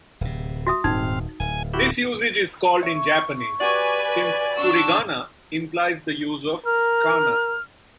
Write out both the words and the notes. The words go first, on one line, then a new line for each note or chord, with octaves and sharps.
This usage is called in Japanese, since "furigana implies the use of kana".
D1 C3
F#4 E5 D#6
D#1 G#2 C4 D#4 F6
D1 G#5
E4 F#4 G4
C#5 E5 C#6
F#4 G4 B4 D5 G#5
D4 C#6 E6
A#4 F6